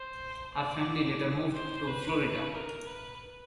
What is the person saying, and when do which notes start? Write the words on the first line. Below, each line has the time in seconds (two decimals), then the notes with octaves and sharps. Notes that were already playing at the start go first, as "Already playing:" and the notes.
Her family later moved to Florida.
Already playing: C5
0.54 D5
1.55 C5
1.87 B4
2.54 A#4
2.87 B4